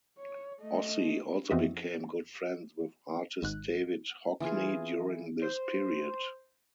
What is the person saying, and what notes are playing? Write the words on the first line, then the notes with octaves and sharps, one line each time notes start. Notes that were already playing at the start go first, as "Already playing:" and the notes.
Ossie also became good friends with artist David Hockney during this period.
C#5
A3 D#5
F2 E3 C4 F#4 D#5 E5
G#1 G#2 F#6
E3 F4 G#4
C5